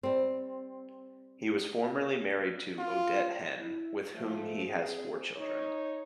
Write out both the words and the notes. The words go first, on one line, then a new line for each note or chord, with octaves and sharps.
He was formerly married to Odette Heyn, with whom he has four children.
G3 C4
F4
E4
F3 A3
C4 G#4
D#4 C#5